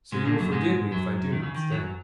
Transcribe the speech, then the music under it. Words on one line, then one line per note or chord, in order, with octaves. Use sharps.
"So you will forgive me if I do not stay."
G#2 G#3
A#2 A#3
F#2 F#3
G#2 G#3
F#2 F#3
D#3
C#3
D#3
F#2 F#3